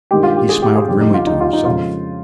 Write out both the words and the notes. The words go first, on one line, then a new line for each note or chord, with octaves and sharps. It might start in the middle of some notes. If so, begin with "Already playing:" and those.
He smiled grimly to himself.
G2 D#3 G#3 G4
F4
G4
G#4
G4
G#4
F2 C#3 G3 G4
D#4
F4
D#4
F4
D#4
F2 C#3 G#3 F4